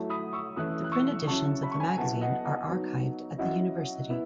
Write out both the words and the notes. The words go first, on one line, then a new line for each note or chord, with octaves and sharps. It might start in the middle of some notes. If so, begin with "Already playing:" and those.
The print editions of the magazine are archived at the University.
Already playing: F#3 A3 E4
B5 D#6
C#6 E6
E3 A3 C#4 E4 D#6 F#6
F#6
C#6 E6
C#3 F#3 C#4 E4 A5 C#6
B5
C#6
G#5 B5
F#3 B3 E4 F#5 A5
D#5 F#5
D#5 F#5
F#3 B3 D#4
F#3 C#4 E4 D#5 F#5
B3 E4